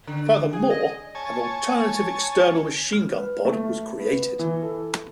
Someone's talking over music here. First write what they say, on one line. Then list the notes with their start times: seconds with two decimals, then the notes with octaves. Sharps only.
Furthermore, an alternative external machine gun pod was created.
0.07 D3
0.53 G#4
0.70 D#5
1.15 C#5 G#5 A5
2.93 F6
3.16 B4
3.45 A3
3.99 B3
4.39 E3
4.63 A4